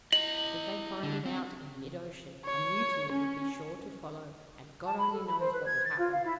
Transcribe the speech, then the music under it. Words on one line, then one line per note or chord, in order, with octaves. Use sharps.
Should they find it out in mid-ocean, a mutiny would be sure to follow, and God only knows what would happen.
E4 D#5 F#7
D3
C4
C#5
C#4
A5
B5
A4
B5
C5
B4
G#6
A6
F4
F5
E4